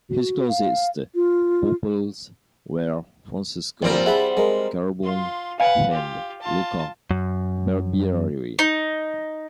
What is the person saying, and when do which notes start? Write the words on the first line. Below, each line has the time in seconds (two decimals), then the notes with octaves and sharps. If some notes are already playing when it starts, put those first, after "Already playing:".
His closest pupils were Francesco Carbone and Luca Barbieri.
0.10 F#4
0.48 F5
1.15 F4
3.82 A#1 A#2 G3 C4 A#4
4.06 E4 G#4 E5 F#5 A5 B5
4.37 G#3 G#4 A#4
5.04 F4 C6
5.60 B4 F5 F#5 G#5
5.91 F4 G4
6.42 F4 A5
7.11 F#2
8.59 D#4